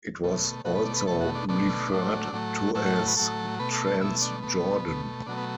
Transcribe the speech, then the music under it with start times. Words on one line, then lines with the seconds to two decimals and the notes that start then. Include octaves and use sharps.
It was also referred to as Transjordan.
0.23 B2 A3
0.65 B2 A3 F#4
0.75 B4
0.85 D5
0.97 B4
1.07 B2 A3 A4
1.20 F#4
1.35 D4
1.49 B2 A3 D4
1.91 A2 F#3 A3
2.33 A2 F#3 A3
2.75 A2 F#3 A3 E4
2.86 F#4
2.96 A4
3.07 B4
3.17 A2 F#3 A3 A4
3.59 B2 A3 B4
3.72 A4
3.87 A4
4.01 B2 A3 E4
4.22 D4
4.43 B2 A3 B3
4.85 B2 A3
5.26 B2 F#3 A3 D4
5.37 B3